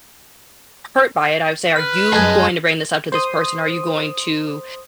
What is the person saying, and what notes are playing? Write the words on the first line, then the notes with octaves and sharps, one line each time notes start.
hurt by it. I would say, "Are you going to bring this up to this person? Are you going to
B4 F6 F#6
F#2 F#3 G#4 D#5 G#5 A5 F#6 G#6
C5 C6 D#6